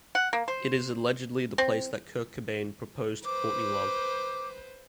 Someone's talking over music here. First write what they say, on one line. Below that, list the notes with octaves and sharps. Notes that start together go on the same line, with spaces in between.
It is allegedly the place that Kurt Cobain proposed to Courtney Love.
F#5
A#3
C5
C4
B4 C5 D6